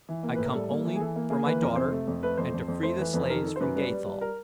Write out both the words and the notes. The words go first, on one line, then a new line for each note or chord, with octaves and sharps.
I come only for my daughter and to free the slaves from Gathol.
E3
A#3
A2 B4
A#4
G3 A4
A#3
E3
G#4
E3 A4
A#3
A#3 G#4
E3 B4
F2 A#4
C3 C5
A3
F2
A3 B4
F2 C5
F2
F2
A3 C5
E3 B4
F2 B4
D#3 A#4
D#3 A4
C5
F#2 B4
G3 B4
G3
G3
A#4